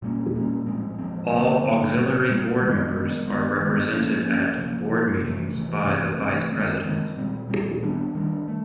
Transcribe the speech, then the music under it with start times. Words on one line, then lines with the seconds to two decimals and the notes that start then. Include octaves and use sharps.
All auxiliary board members are represented at Board Meetings by the Vice President.
0.02 A#2 G3 A#3 C#4
0.34 A#2 G3 A#3 C#4
0.66 A2 F3 G#3 C4
0.99 A2 F3 G#3 C4
1.32 D3 F#3 A#3
1.64 D3 F#3 A#3
1.97 A#2 G3 C4
2.29 A#2 G3 C4
2.61 D#3 G#3 B3
2.94 D#3 G#3 B3
3.27 D#3 G#3 B3
3.60 D#3 G#3 B3
3.92 F3 A#3 C#4
4.25 F3 A#3 C#4
4.57 C3 F3 A#3
4.90 C3 F3 A#3
5.22 C3 E3 A3
5.55 C3 E3 A3
5.87 C3 E3 A3 C4
6.19 C3 E3 A3 C4
6.52 D#3 G#3 C4
6.84 D#3 G#3 C4
7.17 A#2 G3 C4
7.49 A#2 G3 C4
7.83 D#3 G3 B3 D4
8.15 D#3 G3 B3 D4
8.48 A3